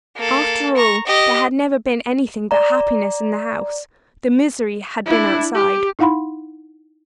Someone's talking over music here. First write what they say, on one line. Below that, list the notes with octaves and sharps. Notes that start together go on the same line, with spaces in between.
After all, there had never been anything but happiness in the house--the misery had been outside.
A#3 A4
A#5 C#6
G4 D#5
D5 A#5
D4 E4
G4
D#4 E4 F5 F#5 B5 C6